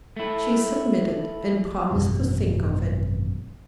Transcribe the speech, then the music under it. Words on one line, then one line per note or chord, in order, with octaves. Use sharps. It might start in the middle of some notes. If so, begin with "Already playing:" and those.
She submitted, and promised to think of it.
A3 E4
G#1 F#2 B2 E3